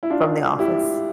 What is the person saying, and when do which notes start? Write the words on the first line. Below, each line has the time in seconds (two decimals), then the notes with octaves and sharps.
from the office.
0.03 E4
0.10 D4 F4
0.59 E4 G4